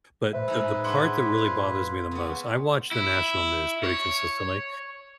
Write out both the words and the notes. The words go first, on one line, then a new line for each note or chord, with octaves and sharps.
but the the part that really bothers me the most I watch the national news pretty consistently,
A2 B4 C5 E5
G#3 D#4 E6
D4 F#5 C6 G#6 B6
F4
C#3 B3
E4
C#5